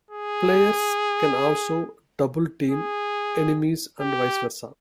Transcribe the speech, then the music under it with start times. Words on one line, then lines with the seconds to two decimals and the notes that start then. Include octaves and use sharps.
Players can also double-team enemies and vice versa.
0.11 G#4
2.70 G#4
4.01 G4